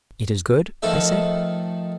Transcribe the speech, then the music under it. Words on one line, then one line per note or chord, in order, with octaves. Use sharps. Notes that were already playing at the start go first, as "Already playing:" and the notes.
"It is good?" I said.
D#3 F3 A3 D#4 A4 E5